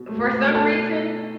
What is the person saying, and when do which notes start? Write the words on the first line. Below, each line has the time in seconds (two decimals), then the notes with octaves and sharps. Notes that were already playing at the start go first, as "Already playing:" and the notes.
For some reason,
Already playing: B2
0.09 A3
0.24 B2
0.40 A3
0.54 B2 A4 A5